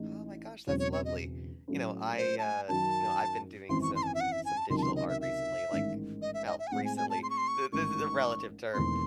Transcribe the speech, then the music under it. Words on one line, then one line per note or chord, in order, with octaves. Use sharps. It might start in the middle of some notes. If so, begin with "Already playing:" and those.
Oh, my gosh, that's lovely. You know, I, uh, know, I've been doing some some digital art recently, like well, recently, th this is a relative term.
Already playing: A1 A2 E3 G#3 D#4
E1 E2 C#3 F#3 C4 C#5
C#5
C#5
D#5
A2 F#3 A3 C#4
C5
A5
G#5
F#2 D#3 F#3 C#4 F#4 A5
G#1 F#2 E3 C4 C6
C#6
C6
A5
G#5
E5
F#5
E5
G#5
A5
C#2 C3 D#3 F#3 C6
A5
C6
D#5
E5
E5
A1 G#2 D#3
D#5
E5
D#5
E5
G#5
A2 G#3 C4 F#5
G#5
G#5
A5
C6
C#6
C6
C#6
A1 G#2 D#3 C#6
E1 E2 D#3 A3 C4 C6